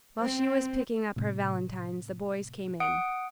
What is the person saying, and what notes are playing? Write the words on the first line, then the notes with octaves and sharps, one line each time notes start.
While she was picking up her valentines the boys came in.
C4
A2 C3
F#5 D#6 D7